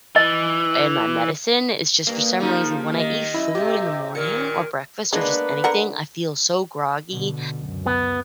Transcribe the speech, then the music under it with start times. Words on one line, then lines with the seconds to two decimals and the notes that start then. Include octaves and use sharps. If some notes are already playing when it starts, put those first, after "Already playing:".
and my medicine, it's just for some reason, when I eat food in the morning or breakfast or just anything, I feel so groggy
0.16 E3 D#5
2.07 G2 A#3
2.40 C#3 F3 G3 D#4
2.96 D#3 D#5
3.34 F#2 E4
3.55 A2 C3 G4
4.15 A#2 D#3 A#4 C#7
5.13 G#3 A#3 B3 D4 B4
5.64 D3 A#4 F#5
7.11 B2 D3
7.57 C#2 F#2
7.86 B3